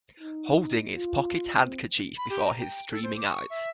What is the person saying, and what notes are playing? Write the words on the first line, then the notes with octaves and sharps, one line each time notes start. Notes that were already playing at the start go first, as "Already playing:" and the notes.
Holding his pocket handkerchief before his streaming eyes.
D#4
F4
C4
B5
G4
A#5
G5
A4
C5
D6
C#6
E5